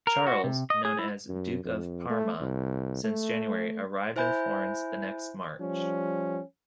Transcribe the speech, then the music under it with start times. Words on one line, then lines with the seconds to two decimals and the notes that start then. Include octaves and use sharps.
Charles, known as Duke of Parma since January, arrived in Florence the next March.
0.07 A#4
0.27 F#4
0.44 C3
0.70 D#5
0.85 G#4
0.99 E4
1.29 F#2
1.64 F2
2.09 A3
2.41 C2
3.03 A3
4.16 E4 C5 E5 G#5 B5 G6
5.59 F3 G3 C#4